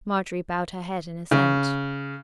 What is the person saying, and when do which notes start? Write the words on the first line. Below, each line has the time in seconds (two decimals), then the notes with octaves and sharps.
Marjorie bowed her head in assent.
1.31 C#3